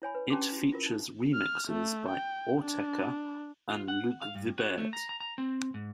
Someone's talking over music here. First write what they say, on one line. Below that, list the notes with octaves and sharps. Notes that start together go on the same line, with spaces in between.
It features remixes by Autechre and Luke Vibert.
E4 C#5 G#5 B5
B4
C#4 D4 G4 A5 C6 D6
E4 F#4
E4 F4 A#4
D#4
F6
A3
G5
D4
F4
F#5
F5
G2
F#4
A3
A#5
A#5
A#5
C4
G#2